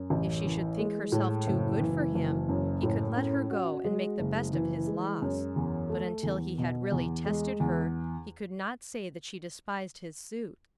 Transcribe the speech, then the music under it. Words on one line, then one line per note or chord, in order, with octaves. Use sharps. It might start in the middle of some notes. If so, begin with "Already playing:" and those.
If she should think herself too good for him, he could let her go and make the best of his loss; but until he had really tested her he could not say that she despised his suit.
Already playing: F#2
A1
E3
G#3
A2
F#1
E3
F#1
F#2
A2
C#4
F#4
G#3
F#1
E3
G#3
F#2
E2
A3
E2
B2
E2
G#3
E2